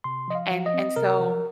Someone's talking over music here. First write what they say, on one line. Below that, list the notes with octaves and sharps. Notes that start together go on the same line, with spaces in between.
And and so
C3 C6
F3 D#5
F5
F3
D#5
C4
C3 A#4
F3